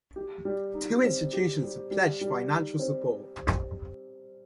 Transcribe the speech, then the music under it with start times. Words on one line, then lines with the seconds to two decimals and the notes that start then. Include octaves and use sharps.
Two institutions have pledged financial support.
0.16 G4
0.45 G3
0.74 D#4
1.04 C4
1.33 G4
1.62 G3
1.91 G3
2.21 G3
2.50 D#4
2.79 C4